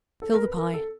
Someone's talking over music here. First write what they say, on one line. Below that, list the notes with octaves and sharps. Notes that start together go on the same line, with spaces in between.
Fill the pie.
A4
A#4
B4
A#4
A4